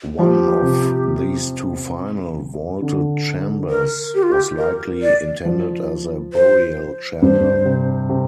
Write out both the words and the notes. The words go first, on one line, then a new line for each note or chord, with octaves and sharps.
One of these two final vaulted chambers was likely intended as a burial chamber.
F3 G4
C3
D3
A#4
G4
F4
G4
A#4
D5
F3
C5
G2 C5
C3
C3